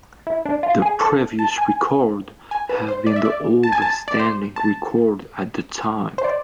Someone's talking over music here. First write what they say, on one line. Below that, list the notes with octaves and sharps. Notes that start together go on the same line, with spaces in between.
The previous record had been the oldest standing record at the time.
E4
D4
F4
G#4
A4
A5
G#5
G#5
B4
C5
D5
E5
D5
A5
G#5
A5
D5
C5
A5
C5
D5